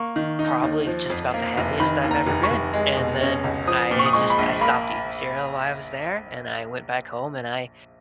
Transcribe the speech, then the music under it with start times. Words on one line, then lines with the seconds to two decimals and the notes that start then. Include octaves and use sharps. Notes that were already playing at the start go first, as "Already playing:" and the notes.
probably just about the heaviest I've ever been," and then I just I stopped eating cereal while I was there, and I went back home, and I
Already playing: A#3 C#6
0.16 D#3
0.39 D#4
0.62 D#2
0.87 F3
1.10 F2
1.34 A#3
1.57 F1
1.80 D#3 B5
2.04 D#2
2.11 A#5
2.26 F1
2.43 C#6
2.51 F1
2.73 G#3
2.97 B2
3.21 C#4
3.44 C#2
3.67 F3 D#6
3.91 A#2
3.99 C#6
4.06 D#6
4.13 G#3 C#6
4.30 B5
4.38 A#1
4.61 A#3 B5